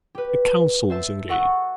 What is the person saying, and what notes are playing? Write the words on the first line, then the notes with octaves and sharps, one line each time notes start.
A counsel is engaged.
G4 B4
C5 E5 A5
F#4 A4 F#5 C#6 F#6